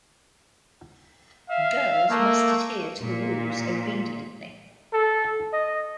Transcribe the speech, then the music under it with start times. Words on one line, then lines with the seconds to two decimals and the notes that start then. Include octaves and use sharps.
Girls must adhere to the rules obediently.
1.50 E5 F5
2.10 A3 A#3
3.00 A#2
4.93 A4
5.53 D#5